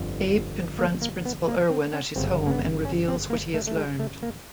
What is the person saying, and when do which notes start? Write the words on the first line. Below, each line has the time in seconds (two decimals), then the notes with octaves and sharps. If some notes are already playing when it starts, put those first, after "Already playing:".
Abe confronts Principal Erwin at his home and reveals what he has learned.
Already playing: G1 F2 D3 F3
0.79 A#3
1.02 A#3
1.25 B3
1.49 A#3
1.70 C4
1.93 C#4
2.16 G1 F#2 C#3 C4
2.46 A#3
2.51 B3
2.85 C#4
3.08 C4
3.30 A#3
3.54 A3
3.67 A3
3.76 G#3
4.00 A3
4.23 A#3